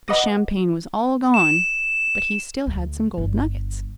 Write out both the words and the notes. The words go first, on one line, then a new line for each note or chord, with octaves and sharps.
The champagne was all gone, but he still had some gold nuggets.
B4 D#5 F#5 D6 D#6 A#6
E7
D2
G1